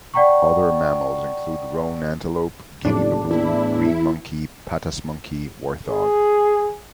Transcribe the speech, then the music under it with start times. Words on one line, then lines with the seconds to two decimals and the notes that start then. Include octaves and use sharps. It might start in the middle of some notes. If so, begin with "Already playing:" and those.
Other mammals include roan antelope, Guinea baboon, green monkey, patas monkey, warthog.
0.14 D5 F#5 G5 A#5 C#6
2.85 F#1 A2 D4
3.31 E2 E4
5.86 G#4